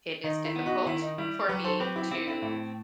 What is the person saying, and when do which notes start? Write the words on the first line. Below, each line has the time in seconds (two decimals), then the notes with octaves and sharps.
it is difficult for me to
0.24 D#3 D#4
0.45 E4
0.56 B3
0.66 D#4 F#4
0.86 D#3 E4
1.02 D#4
1.18 G3 E4
1.49 F#3 G4 B4
1.65 A4 C5
1.80 C4 G4 B4
1.96 E4 G4
2.11 C4 E4 G4
2.27 E4
2.42 A2 E4